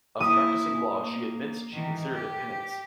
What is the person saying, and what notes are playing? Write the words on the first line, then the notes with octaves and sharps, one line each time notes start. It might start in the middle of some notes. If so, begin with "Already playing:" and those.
Of practicing law, she admits she considered it penance.
A#3 E4 D#6
A#3
D#3 E3
G4